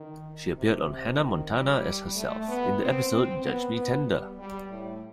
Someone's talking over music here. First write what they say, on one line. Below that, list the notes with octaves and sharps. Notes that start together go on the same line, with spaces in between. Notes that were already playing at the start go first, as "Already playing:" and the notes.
She appeared on "Hannah Montana" as herself in the episode "Judge Me Tender".
Already playing: D#3
C3
C3
D#3
G3
A3
B3
C4
C4
B3
B3
G3
G3
A2